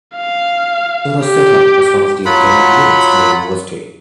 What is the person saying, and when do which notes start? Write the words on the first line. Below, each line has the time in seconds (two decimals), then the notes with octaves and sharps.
It was set up as one of the academic units in the university.
0.17 F5
1.24 G4
2.25 F#3 F4 F#5 B5